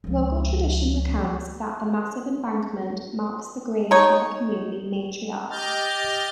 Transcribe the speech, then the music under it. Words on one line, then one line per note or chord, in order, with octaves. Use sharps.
Local tradition recounts that the massive embankment marks the grave of a community matriarch.
C#2 F3
D#4 C#5
G4 D#5 F6 G6 A6